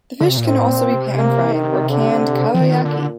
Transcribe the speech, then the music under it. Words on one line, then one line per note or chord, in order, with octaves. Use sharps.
The fish can also be pan-fried or canned kabayaki.
D3
C3
A#2
A2 C4
A#2
C3
A#3
D#3
D3
F3
A#2 D#3
D3